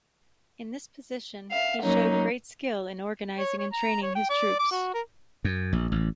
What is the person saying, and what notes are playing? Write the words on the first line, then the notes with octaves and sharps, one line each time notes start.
In this position, he showed great skill in organizing and training his troops.
E5 F5
F#3 A#3 C#4 D#4
C#5
C#5
A#5
C#5
G5
D5
D6
F#4
A#4
F#2
A#1
A1